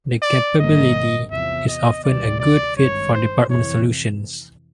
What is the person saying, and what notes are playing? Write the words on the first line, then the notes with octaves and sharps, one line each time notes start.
This capability is often a good fit for department solutions.
D5
G#1 F#2 D#3 G3 A#3 D#5
E2 C3 F3 E5
D#5
D2 C3 D#3 G3 D5
D5
G#1 G2 D#3 C#5
C5
F2 C3 E3 C#5